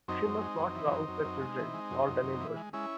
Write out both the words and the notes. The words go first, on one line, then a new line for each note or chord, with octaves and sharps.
She must not rouse the children, nor the neighbours.
F#2 C4 D#4
F#2
G#3
F#2
E3
F#2
F#2
F#2
G#3
E3
G#3
F#2
F#2
F#2
E3
G#3
G#3 C#4 E4